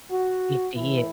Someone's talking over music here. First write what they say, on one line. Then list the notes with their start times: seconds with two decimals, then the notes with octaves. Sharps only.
It did.
0.11 F#4
0.76 A2 E3 E4